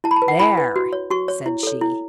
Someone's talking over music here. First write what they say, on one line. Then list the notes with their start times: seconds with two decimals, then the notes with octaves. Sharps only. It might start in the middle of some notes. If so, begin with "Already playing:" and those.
"There!" said she.
0.04 E4 A5
0.11 B5
0.16 A5
0.22 B4
0.28 F#5
0.39 E4 B5
0.57 B4
0.76 F#4
0.93 C#5
1.10 F#4 C#6
1.28 C#5
1.46 E4
1.63 A4 C#5
1.81 E4